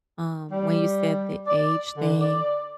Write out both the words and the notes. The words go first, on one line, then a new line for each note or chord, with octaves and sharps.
um, when you said the age thing
G3
D5
D3
D5